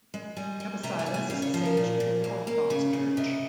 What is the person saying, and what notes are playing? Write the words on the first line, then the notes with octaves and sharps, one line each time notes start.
Kabasilas is a saint within the Orthodox Church.
G#3
G3 G#5
G3
C3 A#5
G#5
G3
G#5
C#3 F5
C#5
F3 C5
A#4
A#2
A#2
A#3
A#3
C#3 C#5
C#3
C3 D#5